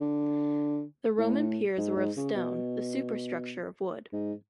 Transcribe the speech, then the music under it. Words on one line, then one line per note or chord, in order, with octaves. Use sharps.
The Roman piers were of stone, the superstructure of wood.
D3
A2
G#2
G#2
C#3
B2
G#2